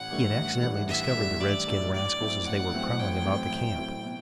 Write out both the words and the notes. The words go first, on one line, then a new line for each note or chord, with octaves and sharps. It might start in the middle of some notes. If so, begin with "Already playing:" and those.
He had accidentally discovered the red skin rascals as they were prowling about the camp.
Already playing: A1 F#5
A2 E3 G3 D4
A1
A2 E3 G3 D4
A1 E5
A2 E3 G3 D4
A1 D5
A2 E3 G3 D4
A1 D5
A2 F#3 C4 E4
A1 F#5
A2 F#3 C4 E4
A1 G5
A2 F#3 C4 E4
A1
A2 F#3 C4 E4
B2